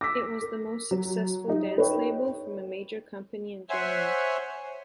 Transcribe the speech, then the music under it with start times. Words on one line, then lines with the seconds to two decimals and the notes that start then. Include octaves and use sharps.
It was the most successful dance label from a major company in Germany.
0.01 D6 E6 A#6 B6
0.42 A#4
0.91 F#3
1.48 D#4 G4
1.78 B4 C#5 G5
3.70 C5 C#5 E5 F#5 G#5